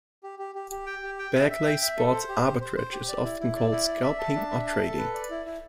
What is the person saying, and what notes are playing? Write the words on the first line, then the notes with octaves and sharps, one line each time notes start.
Back-lay sports arbitrage is often called "scalping" or "trading".
G4
G4
G4
G4
G5
G4
G5
E5
E5
G5
E5
A4
C5
G4
C5
C5
C5
G4
D5
E4
E4
D5
E4
D5
E5
A5
D4
E5
A5
A4
B4
D5
E4
E4